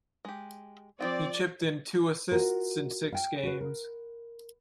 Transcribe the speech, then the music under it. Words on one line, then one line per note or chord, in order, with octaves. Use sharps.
He chipped in two assists in six games.
G#3 G4
F3 C4 F#4 D5 G5
F4 F#4 A#4
F5 G5
F#4 B4
A#4